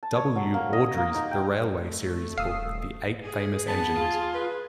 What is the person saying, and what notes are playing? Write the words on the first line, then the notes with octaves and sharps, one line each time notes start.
W. Awdry's "The Railway Series" book 'The Eight Famous Engines'.
A5
C#5
F#3
A#3
D#5
A#3
D#4
G5
A3
D#1 F5 D#6 E6 C7
G#4
B3 A5
F4
B4